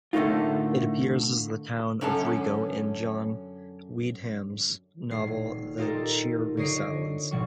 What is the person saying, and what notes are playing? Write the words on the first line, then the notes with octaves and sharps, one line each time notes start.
It appears as the town of Rigo in John Wyndham's novel "The Chrysalids".
A2 D3 A3 A#3 D#4 F4
F#2 D3 C#4 A4 A5
D#1 C7
D#4 F4 G4 A4 A#4 A5
D3 C#5 D#5 C7 D7
G#1 B2 F3 G3 C#6